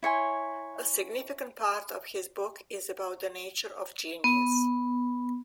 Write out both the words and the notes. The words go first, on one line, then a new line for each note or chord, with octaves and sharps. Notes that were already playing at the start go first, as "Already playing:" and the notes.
A significant part of his book is about the nature of genius.
E4 C#5 G#5 C6
B3